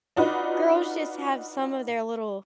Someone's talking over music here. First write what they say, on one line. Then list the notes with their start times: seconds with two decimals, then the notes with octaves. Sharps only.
girls just have some of their little
0.16 D4 D#4 F4 F#4 B4